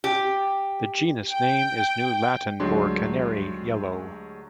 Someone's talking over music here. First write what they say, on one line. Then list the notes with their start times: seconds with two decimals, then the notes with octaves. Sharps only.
The genus name is New Latin for "canary-yellow".
0.04 G4
1.33 G5
2.60 D2 F#3 G#3 D4 G4 C6